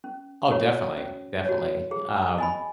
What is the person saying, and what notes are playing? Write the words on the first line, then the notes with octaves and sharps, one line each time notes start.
Oh, definitely, definitely. Y um,
C#4
F#4 C#5
C#4
F#4 C#5
G#4
D#5 G#5 B5